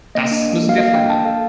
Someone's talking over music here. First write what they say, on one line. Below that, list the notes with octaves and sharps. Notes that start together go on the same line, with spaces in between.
Das müssen wir feiern.
A#3 D#5
D4
A#3
A4
F5
A#3 D#5
D4 G5
A#3 A5
A4 F5